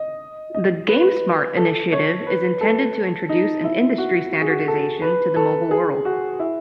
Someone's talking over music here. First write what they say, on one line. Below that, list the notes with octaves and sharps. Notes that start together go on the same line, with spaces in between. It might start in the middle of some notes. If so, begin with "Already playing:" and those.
The "GameSmart" initiative is intended to introduce an industry standardization to the mobile world.
Already playing: D#5
D#5
B4
A4
C#5
B4
A4
D#4
E4
F#4
F#4
G#4
F#4
A4
B4
A4
G#4
F#4
E4